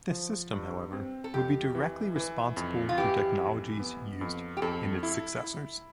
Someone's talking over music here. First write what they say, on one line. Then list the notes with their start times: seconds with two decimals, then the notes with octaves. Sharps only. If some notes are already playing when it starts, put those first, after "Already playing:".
This system, however, would be directly responsible for technologies used in its successors.
0.11 F3
0.52 G2
0.93 C4
1.24 A4
1.34 F2 G4
1.75 E3
2.16 E3
2.57 F2
2.89 F4
2.98 E3 G4
3.39 F2
3.80 B3
4.21 F2
4.57 G4
4.62 F2 A4
5.03 E4
5.44 E4